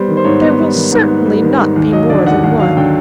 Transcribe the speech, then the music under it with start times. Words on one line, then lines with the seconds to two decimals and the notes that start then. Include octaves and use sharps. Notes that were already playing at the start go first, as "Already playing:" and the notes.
There will certainly not be more than one.'
Already playing: G3 B3 C5
0.08 D#3
0.17 C5
0.24 G#2 C#5
0.41 B3
0.59 G3
0.75 D#3
0.92 G#2
1.08 B3
1.26 G3
1.42 D#3
1.60 G#2
1.76 D#2
1.92 F#3 D#5
2.10 D3 D5
2.26 D#2 F#5
2.43 D#2 F#5
2.60 F#3 F5
2.77 D3 G5